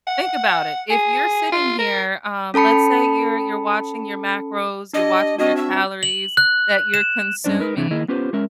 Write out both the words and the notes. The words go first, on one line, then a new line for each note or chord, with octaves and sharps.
Think about it. If you're sitting here, um, let's say you're you're watching your macros, you're watching your calories that you're consuming.
F#5
G#4
F4
A#4
C#4 A4 A5 B5 C#7
D4 G4 D#5
C4 D4 F#4 D#5
E5
F#7
F#6
E7
G2 G3 C#4 D4 C5 D5
D#4 A#4 B4
C3 E3 C4 D4 E4 G#4
D#3 A#3 E4 G#4 D#5
B3 C#4 F4 G4 B4 C5
G#3 C#4 A#4 E5